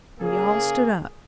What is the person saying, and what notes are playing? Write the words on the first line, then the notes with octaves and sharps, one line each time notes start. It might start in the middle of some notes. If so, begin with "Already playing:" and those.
We all stood up.
C#3 A#3 G#4